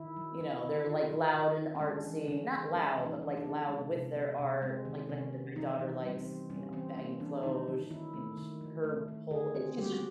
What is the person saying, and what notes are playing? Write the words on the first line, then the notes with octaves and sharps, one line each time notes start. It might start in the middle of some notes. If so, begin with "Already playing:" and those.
you know, they're, like, loud and artsy. Not loud, but, like, loud with their art. Like like my daughter likes, you know, baggy clothes. Sh and sh her pull it's she's just
Already playing: D#3 E4
F#3
F#3 E4
D#3
D#3 F4
F#3
D#3
D#3
C#4
G#3 D4
E3
C#3 C#4
E3
G#3 C#4
E3
D#4
E3
D4
B3
G#3
C3
B3
C3
G#3 C4
D#3
C3 C#4
B3
E3 D#4
E3
G3 C4
C4
E3
G3 C#4
E3 C4
A#3 C#4
E3 D4
D#3 D#4
F#3
D#3 E4
A3
D#3
F#3
A3
D#3
D3 G#4
C4
G3 G4
F#4
G4